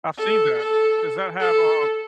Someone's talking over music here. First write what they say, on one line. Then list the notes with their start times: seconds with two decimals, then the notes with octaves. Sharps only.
I've seen that. Does that have, um
0.18 A4
0.59 A4
1.41 A4